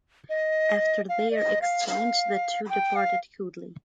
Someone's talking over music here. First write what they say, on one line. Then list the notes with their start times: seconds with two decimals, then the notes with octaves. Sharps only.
After their exchange, the two departed coolly.
0.29 D#5
1.09 F5
1.31 D5
1.35 D#5
1.61 F5
1.88 F5
2.69 G5
2.96 F5